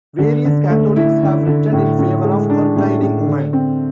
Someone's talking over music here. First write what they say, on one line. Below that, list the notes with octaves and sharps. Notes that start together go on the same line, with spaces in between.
Various Catholics have written in favor of ordaining women.
D3
D3
A3
E4
D3
D3
A2
A2
G#3
D4
A2
A2
D3
C4